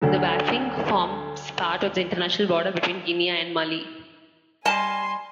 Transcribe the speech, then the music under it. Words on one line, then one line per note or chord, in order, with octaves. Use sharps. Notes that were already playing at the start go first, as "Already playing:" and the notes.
The Bafing forms part of the international border between Guinea and Mali.
D2 D3 F#3
G3 D#5 G#5 A5 C6